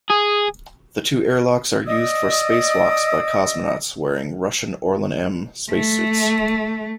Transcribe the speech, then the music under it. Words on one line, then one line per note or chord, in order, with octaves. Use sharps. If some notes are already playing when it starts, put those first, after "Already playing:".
The two airlocks are used for spacewalks by cosmonauts wearing Russian Orlan-M spacesuits.
G#4
D5 D#5 D#6 E6
A3